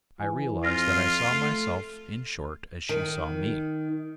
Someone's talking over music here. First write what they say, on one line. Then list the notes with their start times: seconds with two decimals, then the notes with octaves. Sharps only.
I realized that I saw myself, in short, as she saw me.
0.20 E3 G#5
0.64 F2 F4 F6 A#6
0.93 F6 C7
1.31 A3
2.89 D#3